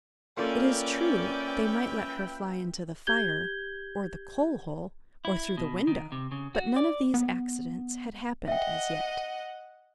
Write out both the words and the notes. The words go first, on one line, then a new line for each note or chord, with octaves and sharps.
It is true, they might let her fly into the fire or the coal-hole, or through the window; but none of these accidents had happened as yet.
A#3 C#4 F4 A4 B4 D5 E5 G5
G4 G6 G#6 G7
E4
B2
D#3
C3
C#3
F#4
D5
B3
D#5 E5 F#5 G5